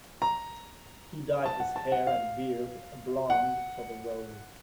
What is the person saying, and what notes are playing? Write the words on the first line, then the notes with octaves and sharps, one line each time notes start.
He dyed his hair and beard blonde for the role.
A#5
A5
F#5
A5
F#5
F5
F#5